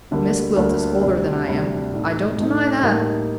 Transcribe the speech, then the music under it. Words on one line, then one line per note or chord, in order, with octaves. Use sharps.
Miss Gwilt is older than I am--I don't deny that.
D2 D3 G3 A#3
D2 D3 G3 A#3
D2 C3 G3 D4
D2 C3 G3 D4
A2 A3 D#4
A2 A3 D#4
A2 G3 A#3 D#4